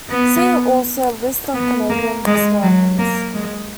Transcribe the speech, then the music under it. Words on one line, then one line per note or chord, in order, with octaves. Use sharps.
See also "List of Canadian historians".
B3
B3
A#3
G#3
F#3
A#3
G#3